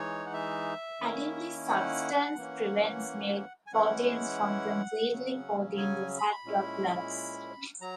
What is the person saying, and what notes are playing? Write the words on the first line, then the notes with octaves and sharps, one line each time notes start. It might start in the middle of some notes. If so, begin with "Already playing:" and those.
Adding this substance prevents milk proteins from completely coating the fat droplets.
Already playing: E3 G#3 D#4 C#5
F#5
E5
D#3 A#3 C#4 E4
F#5
E3 A#3 C#4
G#5
E3 G#3 C#4 E4 F#5
C#3 F#3 C#4
G#5
B5
A#5
B5
A#2 G#3 C#4 E4
F#3 A#5